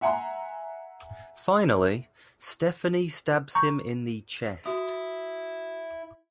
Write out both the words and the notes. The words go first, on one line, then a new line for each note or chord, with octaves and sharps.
Finally, Stephanie stabs him in the chest.
E5 F#5 G#5 A#5 C6
A#5 C#6 G6
E4 F#4 D#6